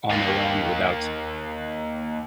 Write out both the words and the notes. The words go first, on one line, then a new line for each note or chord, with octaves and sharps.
on their own without,
D#2 A#3